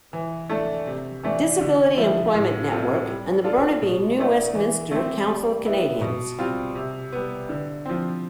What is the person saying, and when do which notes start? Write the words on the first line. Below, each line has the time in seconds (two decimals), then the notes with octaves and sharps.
Disability Employment Network and the Burnaby-New Westminster Council of Canadians.
0.13 E3
0.50 A3 D4 A4
0.87 C3
1.23 E3 A3 D4
1.61 D3
1.97 F3 A3 E4
2.34 A2
2.71 G3 C4 F4 A4
3.08 G3
3.44 D4 F4 A4
3.82 B2
4.18 A3 D4
4.55 E3
4.92 A3 C4
5.29 G3
5.66 B3 E4
6.01 B2
6.38 G3 C4 F4
6.75 C3
7.13 G3 B3
7.49 D3
7.85 F3 C4